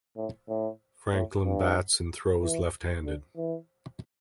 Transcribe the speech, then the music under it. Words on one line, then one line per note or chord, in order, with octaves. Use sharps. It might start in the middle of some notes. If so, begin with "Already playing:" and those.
Franklin bats and throws left-handed.
A2
A2
A2
G2
E3
D3
E3